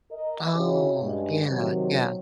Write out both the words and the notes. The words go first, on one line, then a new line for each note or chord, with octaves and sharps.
Oh, yeah, yeah.
A#4 D#5
C#3 E4 F#4 G4 C#5
G2 G#3
C3 D#3 F#3